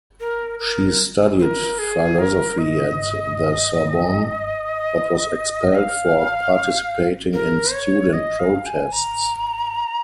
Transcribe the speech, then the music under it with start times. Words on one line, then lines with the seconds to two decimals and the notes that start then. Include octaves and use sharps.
She studied philosophy at the Sorbonne, but was expelled for participating in student protests.
0.20 A#4
0.59 A#4
1.39 C5
1.43 A#4
1.78 G#4
2.19 A#4
2.58 D#5
5.75 F5
7.34 A#4
7.73 C#5
8.13 D#5
8.39 F5
8.66 G#5
8.92 A#5